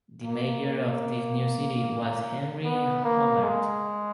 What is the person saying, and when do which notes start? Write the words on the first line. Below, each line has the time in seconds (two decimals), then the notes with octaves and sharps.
The mayor of this new city was Henry Hummert.
0.24 A#3
0.65 A#3
2.64 B3
3.05 A#3
3.44 G#3